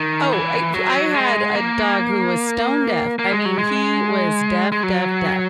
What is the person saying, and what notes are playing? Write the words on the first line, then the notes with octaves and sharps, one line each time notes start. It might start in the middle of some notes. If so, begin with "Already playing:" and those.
Oh, it w I had a dog who was stone deaf. I mean, he was deaf, deaf, deaf;
Already playing: D#3
E3
F#3
G#3
A#3
A#3
G#3
F#3
G#3
G#3
F#3